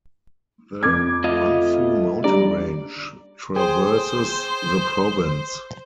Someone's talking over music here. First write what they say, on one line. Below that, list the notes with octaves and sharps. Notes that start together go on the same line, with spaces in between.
The Wansu mountain range traverses the province.
F2 D6 G#6
A3 F4 D#5
G3 D4 D5 A#5
G#4 C5 G5